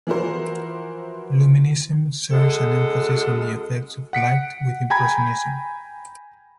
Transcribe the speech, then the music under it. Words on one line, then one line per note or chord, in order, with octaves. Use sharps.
Luminism shares an emphasis on the effects of light with impressionism.
E3 F3 E4 F#4 A#4 C5
F#2 G#3 A4
F#5 B6 C#7 D7
G5 G#5 A#5 B5 G#6